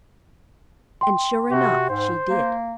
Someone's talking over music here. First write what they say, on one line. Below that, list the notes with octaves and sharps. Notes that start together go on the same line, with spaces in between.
And sure enough, she did.
G5 C6
C3 F#4
G#2 C5
A#3